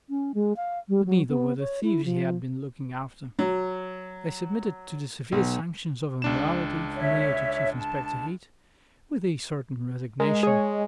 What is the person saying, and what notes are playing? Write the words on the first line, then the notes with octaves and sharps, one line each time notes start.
But neither were the thieves he had been looking after. They submitted to the severe sanctions of a morality familiar to Chief Inspector Heat with a certain resignation.
C#4
G#3
F5
G3
F#3
B3
C#5
E4
F3
F#3
B1
C#2 D4 E7
C#5 E5
A5
G#3 A#4
G#4 C#5